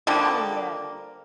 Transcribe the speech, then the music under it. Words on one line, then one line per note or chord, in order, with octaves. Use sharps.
Oh, yeah.
D3 F3 G3 A#3